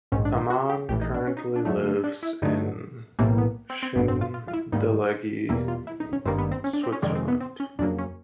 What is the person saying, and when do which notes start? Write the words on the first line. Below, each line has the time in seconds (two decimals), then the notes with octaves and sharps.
Ammann currently lives in Schindellegi, Switzerland.
0.12 A#1 G#2 D#3 C#4
0.25 D4
0.38 D#4
0.50 F#4
0.69 G4
0.89 A#1 A2 E3 G4
1.01 D#4
1.14 D4
1.27 C#4
1.37 D#4
1.56 D4
1.65 F#2 D3 F#3 A3
2.04 D4
2.23 E4
2.42 G2 D3 F#3 A3 D#4
3.19 B1 A2 E3 G3 A#3 C4
3.38 B3
3.70 C4
3.83 C4
3.96 A1 G2 D3 B3
4.08 C4
4.21 F4
4.34 F4
4.48 F4
4.53 E4
4.72 G#2 D#3 G3 A#3 D#4
5.49 E2 B2 G3 A#3 E4
5.68 F4
5.87 E4
6.00 D#4
6.13 C#4
6.25 G#1 G2 D#3 G3 A#3 C4
6.38 B3
6.51 C4
6.64 C#4
6.73 D4
6.83 C4
6.92 C#4
7.02 F2 C3 D#3 G#3 D4
7.15 C4
7.28 B3
7.40 C4
7.60 C#4
7.79 F2 C#3 F#3 A#3 D4
7.98 C#4